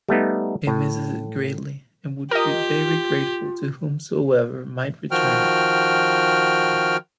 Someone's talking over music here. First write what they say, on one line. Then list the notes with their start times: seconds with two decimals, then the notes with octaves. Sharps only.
He misses it greatly and would be very grateful to whomsoever might return it.
0.09 G3 A3 B3 D#4
0.67 A2
2.31 F4 G4 A#4 D#5
5.11 D#3 F3 F#4 G5 F6